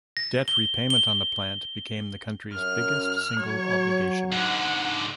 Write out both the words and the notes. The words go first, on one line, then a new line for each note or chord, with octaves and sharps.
Debt repayment on the plant became the country's biggest single obligation.
A#6
G7
G7
F#2 F6
F#3 C#5
G#2 D3 F#5